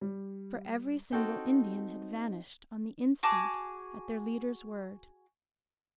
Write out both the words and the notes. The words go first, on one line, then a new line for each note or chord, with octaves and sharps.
For every single Indian had vanished on the instant at their leader's word.
G3
C4 D#4 F#4 A4 C#5 G5
F#4 G#4 A5 D6